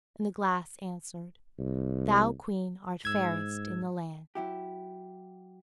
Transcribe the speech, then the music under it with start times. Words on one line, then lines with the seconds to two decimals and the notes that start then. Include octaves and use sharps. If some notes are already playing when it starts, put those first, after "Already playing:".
And the glass answered, "Thou, Queen, art fairest in the land."
1.59 C2
3.05 G#2 E6 G#6
4.35 F#3 E4 G4